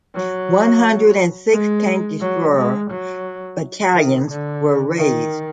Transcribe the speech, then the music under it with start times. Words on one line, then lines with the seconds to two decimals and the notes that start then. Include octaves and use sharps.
One hundred and six tank destroyer battalions were raised.
0.15 F#3
1.52 G#3
2.21 F#3
2.56 G#3
2.90 F#3
3.93 D#3
4.28 D3
4.97 D#3